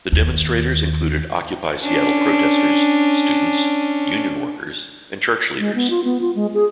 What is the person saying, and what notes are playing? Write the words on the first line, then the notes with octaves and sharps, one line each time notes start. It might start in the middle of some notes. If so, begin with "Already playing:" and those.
The demonstrators included Occupy Seattle protesters, students, union workers, and church leaders.
D#2
C#4 D4
G#3
B3
F4
B3
F4
G#3
G#4